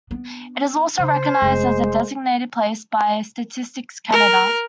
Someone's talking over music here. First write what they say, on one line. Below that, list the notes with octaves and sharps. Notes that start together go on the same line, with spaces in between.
It is also recognized as a designated place by Statistics Canada.
B3 D4
C#3 C5
F1 G#3
A#4